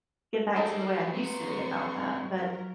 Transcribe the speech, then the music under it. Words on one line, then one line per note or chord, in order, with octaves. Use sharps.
get back to the way I used to be about that. But
G#3 A3 D#4 G4 A#4
C4 B4 A#5 C6 C#6
F#3 A#4